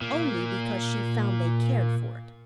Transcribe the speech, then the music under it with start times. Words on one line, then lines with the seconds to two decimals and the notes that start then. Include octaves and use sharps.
Only because she found they cared for it.
0.01 A#2 A#3